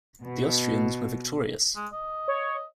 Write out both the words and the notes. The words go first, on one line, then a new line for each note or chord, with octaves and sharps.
The Austrians were victorious.
B2
G#3
D#5
C#5